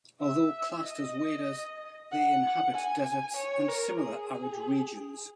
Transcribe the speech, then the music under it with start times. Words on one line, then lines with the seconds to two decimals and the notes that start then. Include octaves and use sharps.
Although classed as waders, they inhabit deserts and similar arid regions.
0.21 E5
0.84 D#5
2.12 F#5
2.75 G#5
3.37 C#5
3.68 A#4
4.01 G#4